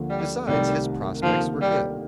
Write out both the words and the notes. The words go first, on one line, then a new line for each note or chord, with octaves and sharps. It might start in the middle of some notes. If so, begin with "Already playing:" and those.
Besides, his prospects were good.
Already playing: D2 D3 F3 A#3
G3
C2 C3 D#3 G3 A3
D2 C3 D#3 F3 A#3
G3